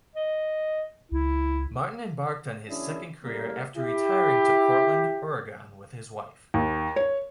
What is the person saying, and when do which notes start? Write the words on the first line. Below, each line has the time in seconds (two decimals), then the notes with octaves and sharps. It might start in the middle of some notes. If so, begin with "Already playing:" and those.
Martin embarked on his second career after retiring to Portland, Oregon with his wife.
0.15 D#5
1.12 C#2 E4
2.68 F#1 E3 C#4 D4 E4 G#4
3.24 A2 C#3 G3 A#3
3.77 E4 G4
6.54 D#2
6.96 C#5